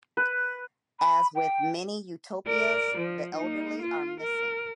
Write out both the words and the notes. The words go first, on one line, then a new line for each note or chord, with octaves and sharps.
As with many utopias, the elderly are missing.
B4
B5
G5
A#4 D5
F3
A#3 D#4
F4
A#4